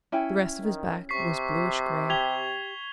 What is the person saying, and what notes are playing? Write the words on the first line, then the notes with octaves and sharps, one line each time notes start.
The rest of his back was bluish-gray.
C#4 E4 G5
D#3
C3 C#6 B6 C7
G4 G#6 F7 G7